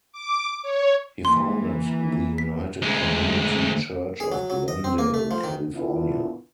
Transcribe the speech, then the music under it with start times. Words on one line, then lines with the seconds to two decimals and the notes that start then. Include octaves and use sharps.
He founded the United Community Church of Glendale, California.
0.13 D6
0.63 C#5
1.25 E3 A#3 C6
2.38 B6
2.82 D2 G#3
4.20 G#4
4.32 F#3
4.50 F#3
4.68 D#5
4.84 C4
4.98 A#3
5.14 A3
5.31 F3
5.44 D#3
5.76 B3 D4 E4 F4